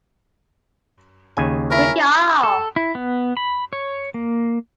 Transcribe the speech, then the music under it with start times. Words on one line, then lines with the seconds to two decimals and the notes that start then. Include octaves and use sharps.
Take it off!
1.37 D#2 C#3 G#5
1.71 C#4 E4 A#4 B5
2.43 A4
2.76 E4
2.95 B3
3.37 B5
3.73 C#5
4.14 A#3